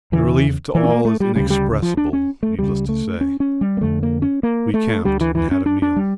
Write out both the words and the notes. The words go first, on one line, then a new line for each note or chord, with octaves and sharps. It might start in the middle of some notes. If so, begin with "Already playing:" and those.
The relief to all is inexpressible; needless to say, we camped and had a meal.
E2 C#3 E3
E3
C#4
A#3
A3
G3
D2 C#3 G3
G3
F3
D4
C#4
A3
C#2 C#3 G3
A3
C#4
C#4
G3
A#3
F2 D3 A3
A#3
C#4
A#3
A3
D2 D3 G3
E3
E3
C#4
D4
D4
G3